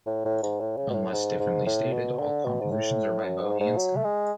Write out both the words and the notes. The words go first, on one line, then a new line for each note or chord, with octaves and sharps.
Unless differently stated, all compositions are by Bo Hansson.
A2
A2
G#2
A2
C#3
B2
A2
G#2
G#2
A2
B2
D3
B2
G#2
A2
F#2
G#2
G#2
F#3
A3
G#3